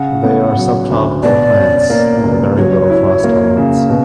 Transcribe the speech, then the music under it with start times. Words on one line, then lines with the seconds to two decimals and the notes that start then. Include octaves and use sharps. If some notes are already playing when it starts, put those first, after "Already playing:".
They are subtropical plants, with very little frost tolerance.
Already playing: C#3 F#5
0.24 B3
0.56 F#3
0.90 D2
1.23 B2 D5
1.56 C#4
1.90 A#3
2.23 C#2
2.57 F#3 C#5
2.90 E4
3.24 A#3
3.57 C#3
3.90 B2